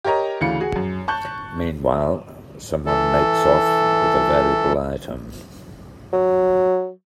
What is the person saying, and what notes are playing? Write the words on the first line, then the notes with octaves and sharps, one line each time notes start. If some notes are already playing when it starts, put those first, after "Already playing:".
Meanwhile, someone makes off with a valuable item.
G4 A#4 C#5 D#5 A#5
D2 C#3 E3 F5 C#7
F#4 G#4
F#2
A5 C#6 F#6 G6
E3 A4
F#3